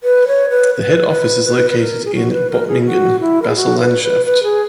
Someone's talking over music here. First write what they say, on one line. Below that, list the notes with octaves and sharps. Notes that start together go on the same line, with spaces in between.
The head office is located in Bottmingen, Basel-Landschaft.
B4
C#5
B4
B4
B4
B4
B4
A#4
G#4
F#4
B4
A#4
G#4
E4
F#4
E4
A#4
G#4
F#4
B4
B4
B4
G#4